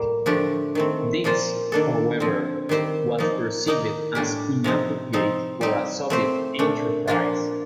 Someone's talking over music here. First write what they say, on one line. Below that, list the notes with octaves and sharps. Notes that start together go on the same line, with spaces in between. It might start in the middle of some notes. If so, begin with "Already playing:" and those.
This, however, was perceived as inappropriate for a Soviet enterprise.
Already playing: A2 G3 A#3
D3 F3 A3 D4 G4
D#3 A3 C4
A#2 F3 A#3 F4 C5
D#3 A#3 D4 A4
D3 F3 C4
D#3 G3 C4 G4 C5
F3 A#3 D#4
D#3 A#3 D#4 A#4
A2 G3 D4 G4
C3 F3 C4 D#4
F3 C4 D#4
G3 C4 D#4 G4
A3 C4 G4 C5
A#2 A3 D4
A#2 F3 A#3 D4 F4